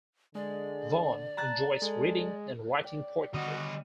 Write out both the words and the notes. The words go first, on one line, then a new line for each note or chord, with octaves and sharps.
Vaughn enjoys reading and writing poetry.
D3 G#3 D5
A5 A#5 F#6 A6
G#3 A4
D5 G5
D3 D#3 G3 B3 F#4 D#5